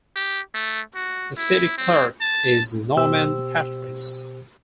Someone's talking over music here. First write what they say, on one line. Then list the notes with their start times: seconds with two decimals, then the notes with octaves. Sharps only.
The city clerk is Normand Patrice.
0.16 G4
0.55 A3
0.95 F#4
1.38 E4
1.78 C4
2.21 A5
2.97 B2 G4 C5 E6